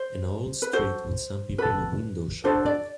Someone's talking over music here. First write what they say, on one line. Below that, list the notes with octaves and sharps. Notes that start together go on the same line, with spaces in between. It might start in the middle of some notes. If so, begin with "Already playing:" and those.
An old street with some people windowshopping.
Already playing: C5
B4
F#4 A4 C5
F#4 A4 B4
D4 F#4 A4 C5
D5